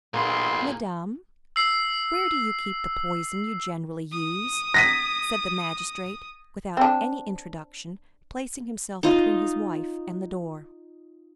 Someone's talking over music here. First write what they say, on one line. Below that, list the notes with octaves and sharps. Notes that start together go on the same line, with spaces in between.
"Madame, where do you keep the poison you generally use?" said the magistrate, without any introduction, placing himself between his wife and the door.
B1 A#2 A#3 G#4 B5 C6
E6 C7
D#6
A#6 B6 D#7
C4 D4
D#4 F4